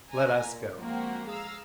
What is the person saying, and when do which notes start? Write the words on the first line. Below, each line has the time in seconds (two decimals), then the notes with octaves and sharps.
"Let us go."
0.12 D5 G#5 A#5
0.43 A#2
0.78 F3 G#3 A#3 C4 F#4 G4
1.29 G#4 F5 A#5 E6